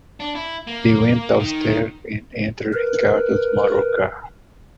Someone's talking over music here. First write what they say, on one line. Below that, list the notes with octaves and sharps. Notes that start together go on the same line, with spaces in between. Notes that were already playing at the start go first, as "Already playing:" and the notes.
They went downstairs and entered Ricardo's motor car.
D4
E4
A#3
D#3
A#4 B4